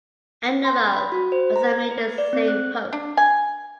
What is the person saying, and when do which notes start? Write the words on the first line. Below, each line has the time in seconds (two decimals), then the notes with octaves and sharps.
Anuel also made the same post.
0.64 C6
0.87 B5
1.12 F#4
1.32 C5
1.56 A#5
1.72 G#6
1.91 B4
2.18 D5
2.33 C4
2.48 F#6
2.93 D4
3.17 G#5